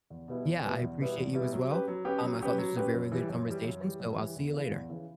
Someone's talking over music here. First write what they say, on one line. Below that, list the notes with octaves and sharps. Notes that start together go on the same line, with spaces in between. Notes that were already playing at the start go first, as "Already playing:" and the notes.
Yeah, I appreciate you as well, um, I thought this was a very good conversation, so I'll see you later.
E2
B2 G3 B3 E4
E2
B2 G3 B3 E4
E2
B2 G3 B3 E4
E2
B2 G3 B3 E4
F#3
C#4 G4 B4
F#3
C#4 G4 B4
F#3
C#4 G4 B4
F#3
C#4 G4 B4
F#2
E3 G3
F#2
E3 G3
F#2
E3 G3
F#2
E3 G3
E2
C#3 E3
E2
C#3 E3